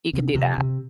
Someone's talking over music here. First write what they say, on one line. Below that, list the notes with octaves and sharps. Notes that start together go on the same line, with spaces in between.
you can do that.
C3
C3
C3